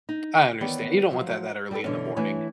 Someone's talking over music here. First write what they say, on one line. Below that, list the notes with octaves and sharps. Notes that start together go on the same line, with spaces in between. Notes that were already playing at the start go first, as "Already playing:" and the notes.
I understan you don't want that that early in the morning.
D#4
D#3 E3 B3 B4 C#5 D5
F3 F#3
G3 F#4 G#4 A4 B4
B2 D3 E3 C#4
E3 A3 E4 C#5 G#5